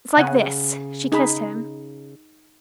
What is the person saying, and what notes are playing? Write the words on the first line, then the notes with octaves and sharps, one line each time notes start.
"It's like this." She kissed him.
C#3 F#5 G#5
D#4 G#4 B5